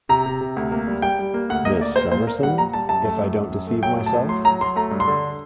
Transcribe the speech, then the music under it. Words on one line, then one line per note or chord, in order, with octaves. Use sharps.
Miss Summerson, if I don't deceive myself?
C3 A#5
C3
C3
D2
A#3
G3
G3 G5
G3
A#3
D2 F#5
A#3 D#5
D2 D5
A#3 C5
A#2 C5
A#2 A#4
G3 F#5
A#2 A#5
G3 A5
F#2 A5
A3
F#2
F#2
F#2
A3
F#3 G5
A2
A5
A2
F#3 C6
F#3 A#5
F#3 C6
A3 A#5
G2
C6
D3